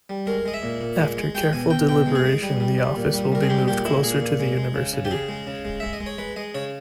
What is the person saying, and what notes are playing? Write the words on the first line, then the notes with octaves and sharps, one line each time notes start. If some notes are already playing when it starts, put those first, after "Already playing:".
After careful deliberation, the office will be moved closer to the University.
G3
G#3 A#4
G#3 D#5
E5
A#2
A#2
G#3
G#3
G#3 G5
B2 G#5
B2 G5
B2 G5
G#3
G#4
G#3
G3
G3
G3
A#2
G3
G3 A#4
G#4
G#3 G4
A#2 G4
G#3 E4
A#2 G#4
A#2
G#3
G#3
C#3
C#3
G4
C#3 G#4
G#3
C#3
G#3
G#3 E5
D#5
G#3
C#5
G#3 B4
G#3 D#5
C#3 C#5